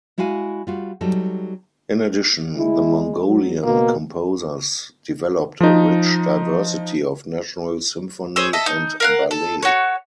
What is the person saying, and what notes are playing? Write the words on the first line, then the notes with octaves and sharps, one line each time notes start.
In addition, the Mongolian composers developed a rich diversity of national symphony and ballet.
G#3 E4 F#4 F5 G#5
G3 F4 F#4
F#3 G3 D#4 A4
G#3 E4
F#3
B2 A#3
F3 D#4
G#4 C5 C#5 E6
A4 D#5 E5
D#4
A#4 F5 F#5
A4
F#4 C#5